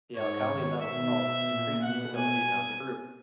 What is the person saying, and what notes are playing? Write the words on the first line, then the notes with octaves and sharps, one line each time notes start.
The alkali metal salts decrease in stability down the group.
G#2 C#5
D#3
B2 E5
A#2
B2 F#5
G#5